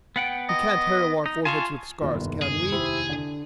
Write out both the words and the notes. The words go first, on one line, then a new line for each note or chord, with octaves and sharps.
We can't harrow our foreheads with scars, can we?
B3 F#5 G5
D#5
D#4
F4 G#5 A5 C#6
F1 D#2 D#3 F4 D5
G1
G#4
E4 G4 C5
D3